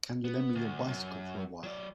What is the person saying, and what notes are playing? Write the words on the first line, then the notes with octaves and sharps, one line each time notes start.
Can you lend me your bicycle for a while.
B3
D2
F#2
F#3 D5